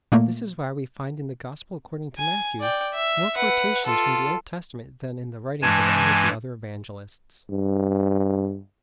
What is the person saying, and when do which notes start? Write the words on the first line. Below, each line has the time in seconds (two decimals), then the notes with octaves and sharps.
This is why we find in the Gospel according to Matthew more quotations from the Old Testament than in the writings of any of the other evangelists.
0.12 A#2 A3 A#3
2.18 G#5
2.61 D5 G5
2.95 E5
3.35 B4 F#5
3.85 F4 A4
5.62 G2 E3 G#3 G#5 A5 G#6
7.50 G2